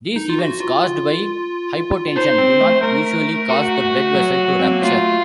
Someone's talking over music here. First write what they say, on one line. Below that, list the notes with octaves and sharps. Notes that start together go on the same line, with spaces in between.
These events caused by hypotension do not usually cause the blood vessel to rupture.
D#4
F4
F#4
F4
F4
F4
D#4 C5
C4
A3
A3 A#4
F#4
F#3
F#3
C4
A#3
A3 F4